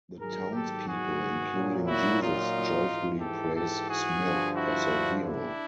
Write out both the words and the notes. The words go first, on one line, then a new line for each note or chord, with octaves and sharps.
The townspeople, including Jesus, joyfully praise Smith as a hero.
G#2 D#3 F#3 G#4 A#4
G4 A4
F#4 G#4
A#2 F#3
E4 F#4
D#4 F4
G#2 E3
G4 A4
G4 A4
F#4 G#4
G2 D3 F3
E4 F#4
D4 E4